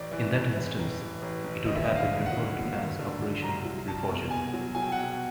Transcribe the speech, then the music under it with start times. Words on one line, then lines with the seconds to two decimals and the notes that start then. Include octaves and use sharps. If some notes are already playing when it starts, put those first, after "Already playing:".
In that instance, it would have been referred to as Operation Reforger.
Already playing: A1 D5
0.11 E3
0.34 A1
0.56 A1
0.79 A1
1.01 E3
1.22 A1
1.44 A1
1.66 D#2 D#5
1.75 E5
1.84 D#5
1.89 D3
1.96 F5
2.11 D#2
2.26 F#5
2.33 F#3
2.55 D#2
2.76 D#2
2.99 D3
3.21 F#3
3.42 C2 A#5
3.65 F#3
3.87 C2 A5
4.09 B2
4.31 B2 G#5
4.53 F#3
4.75 F#3 G#5
4.83 G5
4.92 F#5
4.97 B2 G5